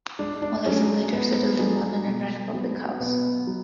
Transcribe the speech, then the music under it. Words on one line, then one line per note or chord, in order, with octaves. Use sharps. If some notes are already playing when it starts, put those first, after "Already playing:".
Mollison later settled in London and ran a public house.
G#2 D4
D4
F#3 A3 C#4 D4 G#4
G#2 B3
F#3 A3 D4 G#4
B2
F#3 B3
B2 B3
F#3